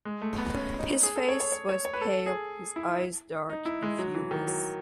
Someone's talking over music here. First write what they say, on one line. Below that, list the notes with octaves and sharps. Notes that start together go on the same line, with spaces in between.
His face was pale, his eyes dark and furious.
G#3
A3
B3
C#4
D#4
G#4
A4
C#5
C#5
C#5
C#5
C#5
B4
A4
G#4
E4
D#4
E4
G#3
F#3
E3
D#3
F#3